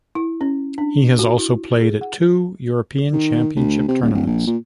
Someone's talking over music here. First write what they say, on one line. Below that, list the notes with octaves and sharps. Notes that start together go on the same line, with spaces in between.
He has also played at two European Championship tournaments.
E4
C#4
D4
F#4
E4
G#4
F#5
D#3
D2
C3
D#1
D1
A#1
A#2